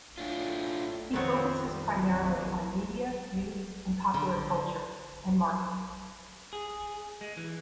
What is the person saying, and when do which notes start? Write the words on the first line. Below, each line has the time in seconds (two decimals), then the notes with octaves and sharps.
He focuses primarily on media, youth and popular culture, and marketing.
0.18 A2 D4 F4
1.14 C2 F2 D#3 B3 C4 C#5
1.71 G3
2.20 D#2
4.14 D3
6.53 G#4
7.21 G#3
7.37 E3